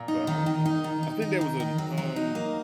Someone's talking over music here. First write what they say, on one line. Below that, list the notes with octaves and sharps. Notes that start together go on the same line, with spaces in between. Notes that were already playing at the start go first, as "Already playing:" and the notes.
But, um, I think there was an, um
Already playing: A#2
D#4
D#3
D#3
D#4
D#3
D#4
D#4
D#3
D#3
F#3
F#3
D#4
A#3